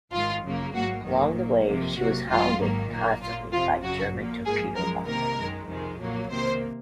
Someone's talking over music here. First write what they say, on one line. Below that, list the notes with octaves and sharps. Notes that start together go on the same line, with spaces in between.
Along the way she was hounded constantly by German torpedo bombers.
G#2 D#3 G#3 F4
F#2 C#3 F#3 A#3
G#2 F#3 A#3 F#4
F#2 D#3 F#3 A#3
A#2 F#3 A#3
F2 C3 F3 A#3
C3 F#3 A#3 F#4
F#2 D#3 G#3 F4
G#2 D#3 F#3 A#3
A#2 F#3 A#3
A#2 F#3 A#3 F4
F2 C3 F3 F4
F#2 C#3 F#3 F#4
A#2 F3 A#3
G#2 F3 A#3 G#4
F#2 F3 G#3 A#4
C3 D#3 A#3 A#4
F#2 D#3 G#3
F2 C3 D#3 G#3
A#2 F#3 A#3
C3 D#3 A#3 C5